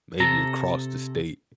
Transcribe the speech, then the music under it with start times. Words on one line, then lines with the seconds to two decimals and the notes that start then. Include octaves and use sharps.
maybe across the state.
0.20 C3 A4 A#5